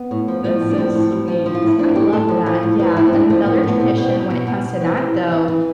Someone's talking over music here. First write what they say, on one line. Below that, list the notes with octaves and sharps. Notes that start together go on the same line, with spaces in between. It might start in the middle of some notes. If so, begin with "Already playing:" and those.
That's so sweet. I love that, yeah, another tradition, when it comes to that though,
Already playing: B3
A2
F3
F3
A2
D4
F3 C4
A2
A2
F3
F3
F4
A2 E4
F3 D4
A2 G4
A2 A4
F3
F3
A2
F3 B4
A2 E4
C4
A2 D4
F3 A3
F3 B3
A3
A2 B3
B2 C4
B2
C4
B2
B2
B2
B2
E3 C4
C3
C3
E3
E3